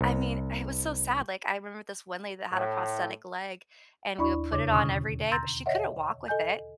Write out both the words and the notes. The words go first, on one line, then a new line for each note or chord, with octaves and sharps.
I mean, it was so sad, like, I remember this one lady that had a prosthetic leg, and we would put it on every day, but she couldn't walk with it.
C2
A2
D#2 D4 E4 D5 B5 C#6
E2 C#3 D4 C#5 D6
B2 D3 C#4 C#6 D#6 F6
A#5 C6 E6 G6 A6 A#6
C#5 D#5 E5 F#5
A4 D#5 G#5 G6